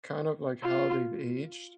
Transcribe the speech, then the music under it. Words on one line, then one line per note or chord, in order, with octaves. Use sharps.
kind of like how they've aged,
F4